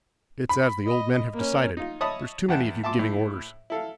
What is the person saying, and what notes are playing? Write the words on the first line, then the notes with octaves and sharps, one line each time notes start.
"It's as the old men have decided--there's too many of you giving orders."
B5
D#5
A#3 C#4
D#4 F4
C#5 D#5 E5 A5 B5 D#6
E2 E4 F#5 G5 A5
E5 A5 C6 D6
A2
E4 A4 F5